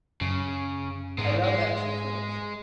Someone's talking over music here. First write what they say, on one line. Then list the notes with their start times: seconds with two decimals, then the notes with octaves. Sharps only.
I love action films.
0.21 F#2 C#3
1.18 G#2 G#3 B3
1.43 G#3